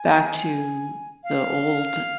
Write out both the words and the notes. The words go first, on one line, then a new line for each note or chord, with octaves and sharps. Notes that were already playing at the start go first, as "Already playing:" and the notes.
back to the Old
Already playing: G#5
F5